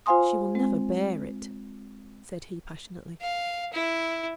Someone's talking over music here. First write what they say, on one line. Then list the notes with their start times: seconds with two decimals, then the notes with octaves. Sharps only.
'She will never bear it,' said he passionately.
0.06 F4 C5 F5 G#5 C6 D#6
0.55 G#3 C4
3.21 F5
3.73 E4